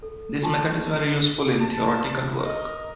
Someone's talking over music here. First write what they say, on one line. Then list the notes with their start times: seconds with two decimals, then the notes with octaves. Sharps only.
This method is very useful in theoretical work.
0.03 A4
0.42 F4 F#4 G#5 A5 C#6 D6
1.60 A5
2.38 A#4 D#5